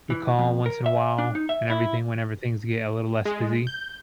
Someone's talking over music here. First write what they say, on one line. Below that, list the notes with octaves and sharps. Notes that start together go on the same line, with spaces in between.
we call once in a while and everything whenever things get a little less busy.
E3
F2
A#4
E5
D4
D#4
E5
E4
G#3
G6